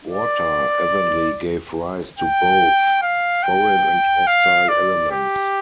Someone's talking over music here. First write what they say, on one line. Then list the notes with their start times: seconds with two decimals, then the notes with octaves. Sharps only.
Water evenly gave rise to both foreign and hostile elements.
0.10 D5
2.19 G5
3.02 F5
3.43 G5
4.27 F5
4.69 D5
5.11 G4